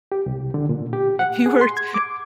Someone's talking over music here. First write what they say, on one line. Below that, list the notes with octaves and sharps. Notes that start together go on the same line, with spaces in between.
If you were to
G4
C2
D3
A#2
G4
F#5
G#4
C6
G#6
D6